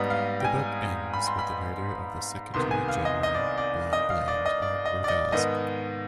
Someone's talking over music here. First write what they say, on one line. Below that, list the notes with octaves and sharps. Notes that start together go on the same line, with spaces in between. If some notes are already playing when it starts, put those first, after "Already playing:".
The book ends with the murder of the Secretary-General being blamed on Rogas.
Already playing: G#2 G3 B3 D#5
F5
G5
G#5
B5
C6
B5
C2 C3 D#3 B3 C6
G#5
F5
D#5
D#5
D5
D5
D#5
F5
D5
D#5
D5
D#5
D5
D#5
G#2 D#3 B3 D#5